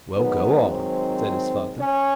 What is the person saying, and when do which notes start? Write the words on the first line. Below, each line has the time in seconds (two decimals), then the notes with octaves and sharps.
"Well, go on," said his father.
0.15 G#2 D#3 F#3 B3 B4
0.71 C4 C5
1.79 C#4 C#5